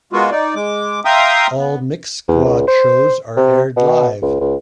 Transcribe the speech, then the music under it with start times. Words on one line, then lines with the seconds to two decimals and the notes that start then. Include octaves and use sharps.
All Mix Squad shows are aired live.
0.13 G#3 A#3 B3 F4 F#4
0.31 D#4 D5
0.55 G#3 D6
1.05 E5 F5 G5 A#5 C6 D#6
1.59 B3
2.28 E2
2.45 C#2
2.68 C5
3.37 C3
3.76 B2
4.22 C#2
4.40 C#2